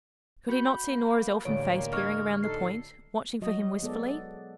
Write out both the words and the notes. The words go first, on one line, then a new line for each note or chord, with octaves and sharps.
Could he not see Nora's elfin face peering around the point, watching for him wistfully?
F#4 B5 G6 C#7
A#3
A1 D3 G3 G#3 A#3 C#5 D7
D4 D#5 C#6 F6 G#6
D#4 A4 C7
F#3 F#4 D#5
G#3 B3 A4 D5